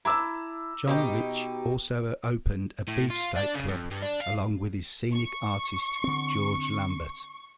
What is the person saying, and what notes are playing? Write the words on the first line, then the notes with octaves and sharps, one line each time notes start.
John Rich also opened a Beefsteak Club along with his scenic artist, George Lambert.
E4 A5 A#5 D6 E6
B2 D#4 G4
A2
F4
D4
C#3
F2
G2
D4
F5
C#6
D3 C4